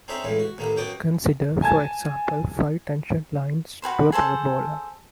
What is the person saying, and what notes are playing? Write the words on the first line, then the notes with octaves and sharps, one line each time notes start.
Consider, for example, five tangent lines to a parabola.
C4 D4 D#4 G#4 C#5 E5
A2 C#3 E3 G#3
F#4
D#2 A2 A#3 B3
F#2 B2 F#4 G5 D6 D#6
G#5 A5 G#6
F#4 G#4 B4 C5
G#4 A4 C5 A5